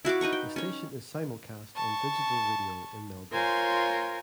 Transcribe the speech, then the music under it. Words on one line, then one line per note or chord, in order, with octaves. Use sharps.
The station is simulcast on digital radio in Melbourne.
E4 F#4 F5 D6
D#4 B4 A#5 C#6
G5
C#4 C#5
A5 C#6
F4 A#4 C5 C#5 G#5